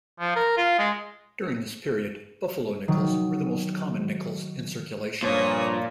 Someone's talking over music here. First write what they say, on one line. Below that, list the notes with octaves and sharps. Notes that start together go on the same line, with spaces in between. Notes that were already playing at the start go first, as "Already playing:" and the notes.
During this period, Buffalo nickels were the most common nickels in circulation.
F3
A#4
F4
G#3
D#3 F#3
G2 A#2 F3 F4 C#5 D#6